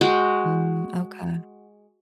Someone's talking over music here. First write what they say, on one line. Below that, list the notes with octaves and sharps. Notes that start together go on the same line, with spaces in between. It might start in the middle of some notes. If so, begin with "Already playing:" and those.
Mm, okay.
G#3 F#4 G5